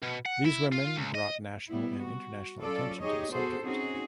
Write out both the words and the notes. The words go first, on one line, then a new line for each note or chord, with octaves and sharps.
These women brought national and international attention to the subject.
B2
F#5
E4
F4
C#2
D#5
G3 B3 E4
F#4
F#3 C#4 F4 A4 D5
D#4 G4 G#4 C#5 D#5
B3 F#4 G#4 A4 C5
C4 C#4 D#4 F#4 G#4